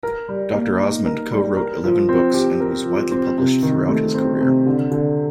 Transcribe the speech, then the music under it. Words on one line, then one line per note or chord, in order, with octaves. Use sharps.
Doctor Osmond co-wrote eleven books and was widely published throughout his career.
A#4
G3
A#3
D#4
A#4
G3
A#4
F3
C4
G4
A#4
F3
C4
C3
D#3
A3
C4
C3
D3
D3